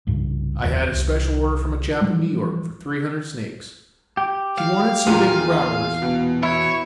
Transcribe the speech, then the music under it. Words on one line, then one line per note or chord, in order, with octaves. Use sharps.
I had a special order from a chap in New York for three hundred snakes--he wanted some big rattlers.
C2 G2 C#3
F1 D#2
C2
E3 F3 G3 G#3
G4
F5
E2 A#2 F4 G#4
B2
E4 C#5